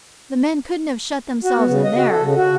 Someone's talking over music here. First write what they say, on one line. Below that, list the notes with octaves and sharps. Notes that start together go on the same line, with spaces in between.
"The men couldn't have shut themselves in there."
F#4
B3
C#3
D#5
F#4
A4
C#3
F#4